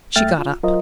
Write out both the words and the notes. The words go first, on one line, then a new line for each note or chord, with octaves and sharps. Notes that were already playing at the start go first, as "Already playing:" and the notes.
She got up.
F#2 A3 E5 G5 F6 A6
F4
F#3 F4 A#4 C5 D#5